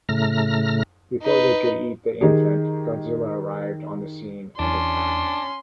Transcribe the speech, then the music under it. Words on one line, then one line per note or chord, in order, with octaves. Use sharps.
Before they could eat the infant, Godzilla arrived on the scene and attacked.
A2 C#3 A3 A#5 F6 A#6
D#4 B4
D#3 G4 G#4
E2 C#4 D4 C6